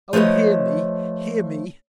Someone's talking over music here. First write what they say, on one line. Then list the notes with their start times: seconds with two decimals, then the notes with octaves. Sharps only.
Oh, hear me! hear me!
0.13 F3 A3 B4 C#5 D#5